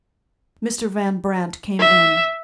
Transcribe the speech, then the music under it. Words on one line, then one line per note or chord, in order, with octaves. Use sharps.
Mr. Van Brandt came in.
E5